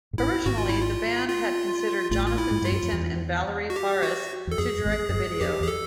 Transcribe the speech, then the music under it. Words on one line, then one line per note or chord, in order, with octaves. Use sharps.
Originally, the band had considered Jonathan Dayton and Valerie Faris to direct the video.
G#2
A1 A2 E4
G#1 G#2 F#4
F4
E4
F4
F4
A1 A2 F4
F4
E4
G#2
G2 F4
F#2
F2
E2
F#4
G4
F#4
E2 A4
F2 G#4
G2
G#1 G#2
F#2
G1 G2
F2 G4
E2
G#4
A4